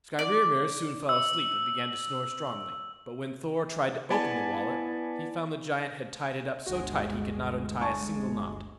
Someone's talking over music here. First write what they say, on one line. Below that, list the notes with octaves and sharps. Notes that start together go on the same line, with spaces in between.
Skrymir soon fell asleep and began to snore strongly; but when Thor tried to open the wallet, he found the giant had tied it up so tight he could not untie a single knot.
D5
E6
B3 E4 D5 G#5 A5
G1 D2 G#3 F#4
G#5 A5 C#6